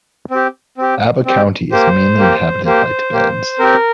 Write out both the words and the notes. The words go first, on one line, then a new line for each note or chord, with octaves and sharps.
Aba County is mainly inhabited by Tibetans.
C4 G4
C4 G4
C4 G4
A#3 G4 C5
A#3 G4
A#3 G4 C5
A#3 G4
C4 G4 A#4